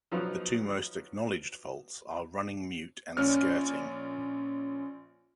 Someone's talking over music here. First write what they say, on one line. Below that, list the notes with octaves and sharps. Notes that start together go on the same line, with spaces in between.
The two most acknowledged faults are running mute and skirting.
F3 F#3 B3 D#4
A#1 C#4 F6